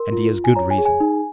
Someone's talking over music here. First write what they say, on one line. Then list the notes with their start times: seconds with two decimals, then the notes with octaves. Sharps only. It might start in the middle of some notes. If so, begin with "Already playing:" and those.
And he has good reason.
Already playing: A#4 C6
0.12 F4
0.34 F4
0.44 G#5
0.56 C#5 A#5
0.71 G#5
0.78 G#4
0.85 G#5
1.00 D#4